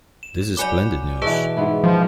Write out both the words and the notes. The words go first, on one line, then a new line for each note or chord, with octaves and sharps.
This is splendid news.
E7
F#3 B4 D5 G#5 D6
B2 E3 G#4 B4 A5
G#2 B3 E4
F3